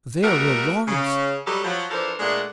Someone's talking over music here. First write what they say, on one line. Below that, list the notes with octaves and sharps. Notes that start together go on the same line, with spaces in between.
There were lords!
G3 A3 B3 F#4 A#4
C#3
F#3 G3 G4 A4 B4 D#5
F3 F#3
E3 F3 D4 A4 A#4 C5
A#2 G#3 A3 D4 G#4 F#5